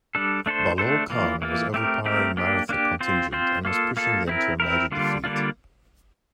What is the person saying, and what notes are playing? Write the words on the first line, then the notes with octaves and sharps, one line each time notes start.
Bahlol Khan was overpowering Maratha contingent and was pushing them to a major defeat.
G3 D4 A4
A3 D4 A4 C5
A3 D4 A4 C5
E3 A#3 F4
E3 A#3 F4
A3 C4 G4 A#4
A3 C4 G4 A#4
A#3 D4 G4
A#3 D4 G4
C4 F4 C5
C4 F4 C5
A#3 F4 A4
A#3 F4 A4
C4 E4 A#4
C4 E4 A#4
D3 G3 A#3 D4 F4
D3 G3 A#3 D4 F4